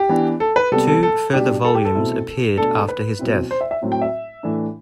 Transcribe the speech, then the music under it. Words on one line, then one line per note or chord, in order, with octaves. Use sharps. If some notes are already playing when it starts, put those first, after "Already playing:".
Two further volumes appeared after his death.
Already playing: G4
E3 B3 D4
A4
B4
C3 G3 B3 A4
A4
A4
B2 G3 D4 G4
A4
G4
A4
B2 A3 C4 E4
B2 A3 D4 A4
B4
B2 F#3 C4 E4
C5
E5
E5
A2 F#3 C4 E4
G5
E5
A2 E3 A3 D4